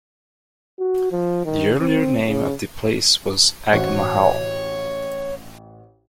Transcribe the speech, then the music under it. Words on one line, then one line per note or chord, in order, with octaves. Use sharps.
The earlier name of the place was Agmahal.
F#4
F3
D#3
C4
C#3
A1 F#4 C5 C#5